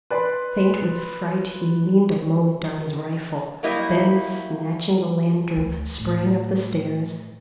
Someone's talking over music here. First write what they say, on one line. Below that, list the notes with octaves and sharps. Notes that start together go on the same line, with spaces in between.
Faint with fright he leaned a moment on his rifle, then, snatching the lantern, sprang up the stairs.
B4 D5 C6
F#3 G3 A#3 E4 D#5
D2
A2 D#3